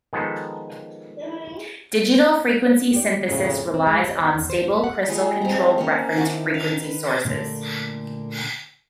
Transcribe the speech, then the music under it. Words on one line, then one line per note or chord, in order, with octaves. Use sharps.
Digital frequency synthesis relies on stable crystal controlled reference frequency sources.
D#3 F3 G#3 B3 A4
G4 D5
F2 A2 C#3
C4
G#3
G3
B3
E2
C5
A3
F#5
G3 G#3 F4 C#5
C4 A#5
A#3 C4 C#4
D#3 E4 A5 D6
F5
B4
A#2 D3 A3 A#3 D4